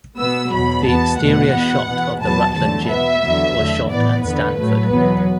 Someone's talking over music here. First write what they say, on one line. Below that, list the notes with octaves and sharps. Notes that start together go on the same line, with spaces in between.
The exterior shot of the Rutland gym was shot at Stanford.
B2 B3 E6
E2 B2 F#3 B5
E2 B2 B3 A5
E2 B2 A3 F#5
B2 B3
E2 B2 B3
E2 B2 F#3 B3 A5
E2 D3 F#3 A3 A5
B2 B3 E5
E2 D3 F#3 B3
E2 D3 A3
A2 E3 B3 D5
E2 D3 B3 B4
A2 F#3 A3
E2 B2 F#3 B3